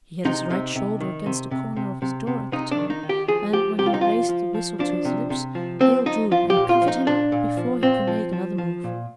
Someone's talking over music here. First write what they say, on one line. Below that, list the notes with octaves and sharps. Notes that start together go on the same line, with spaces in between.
He had his right shoulder against the corner of his door at the time, and, when he raised the whistle to his lips, Hale drew and covered him before he could make another move.
C3 D#4
C3
C3
D#3
C3
C3
C3
C3
C3
C3 D#4
D4
D#3
D#4
D#3
G4
F3 G#4
F3 G4
C3 G4
F4
D#4
F3 F4
F3
F3
F3 D4
C3
C3
F3
F3 C4
F3 D#4
F3 F4
G4
A#2
F4
F3
D#4
A#2 D4
A#2
F3
A#2 C4
F3
F3
F3
A#2